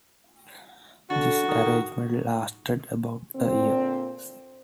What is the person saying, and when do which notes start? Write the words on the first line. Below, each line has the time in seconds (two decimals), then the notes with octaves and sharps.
This arrangement lasted about a year.
1.10 D3 F#4 A4
1.48 D#3
3.35 A#2 D3 C4